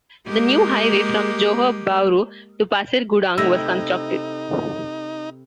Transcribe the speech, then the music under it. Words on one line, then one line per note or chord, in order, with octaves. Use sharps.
The new highway from Johor Bahru to Pasir Gudang was constructed.
G#3 A#3 G4
C3 A3 D#4 E4 E6 A#6